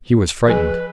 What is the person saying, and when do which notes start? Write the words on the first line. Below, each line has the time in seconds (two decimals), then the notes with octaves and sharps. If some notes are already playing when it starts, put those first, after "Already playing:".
He was frightened.
0.46 F3 G#4 B4 G#5